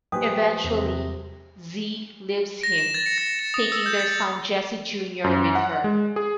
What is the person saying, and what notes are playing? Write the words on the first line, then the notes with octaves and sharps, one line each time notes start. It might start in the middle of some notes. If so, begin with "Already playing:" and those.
Eventually Zee leaves him, taking their son Jesse Junior with her.
A#1 G4 B4 C5 G5 G#5 D#6
E2 C3 A#6
A#6
E7
A6
C#7
A#6
E7
D#6
E6
G6
A6
F#2
F#5
G#3
G#4